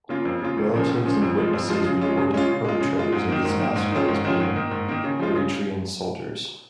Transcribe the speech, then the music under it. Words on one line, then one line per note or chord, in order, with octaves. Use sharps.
Relatives and witnesses reported the perpetrators of this massacre as being Eritrean soldiers.
C#3 A#3 F4
F2
C#3 A#3 F4
C#2
C#3 F3 C#4
C#2
C#3 F3 C#4
F2
F3 G#3 F4
F2
F3 G#3 F4
C#3
G#3 C#4 F4
C#3
G#3 C#4 F4
C#3
G#3 F4
C#3
G#3 F4
G#2
D#3 A#3
G#2
D#3 A#3
G#2
D#3 C#4 F4
G#2
D#3 C#4 F4
G#2
D#3 A#3
G#2
D#3 A#3
C#3
F3 G#3 F4
C#3